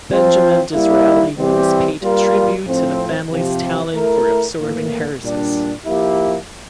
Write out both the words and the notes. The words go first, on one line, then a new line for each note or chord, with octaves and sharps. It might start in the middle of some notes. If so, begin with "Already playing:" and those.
Benjamin Disraeli once paid tribute to the family's "talent for absorbing heiresses".
F3 C4 F4 C5
G3 A#3 E4
E3 G3 C4 G4
G3 A#3 F4 A#4
A2 F3 C4
C3 F3 C4 G4 C5
A3 E4 A#4
A2 E3 A#3
A#2 G3 D4
F3 A#3 E4 G4